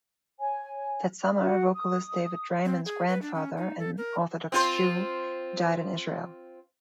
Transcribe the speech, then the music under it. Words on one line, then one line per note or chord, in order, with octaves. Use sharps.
That summer, vocalist David Draiman's grandfather, an Orthodox Jew, died in Israel.
C#5 G#5
F#4 F#5
D#6
C4
G#4
B4
D4
C#4
D#4
A4
A#4
C4 F4 C5